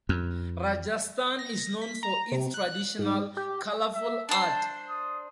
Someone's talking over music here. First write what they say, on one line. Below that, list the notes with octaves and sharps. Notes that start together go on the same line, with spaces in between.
Rajasthan is known for its traditional, colourful art.
F2
A#6
B6
A#5
C3
F#6
G#2
G4
E5
D4 C5 A5
D#6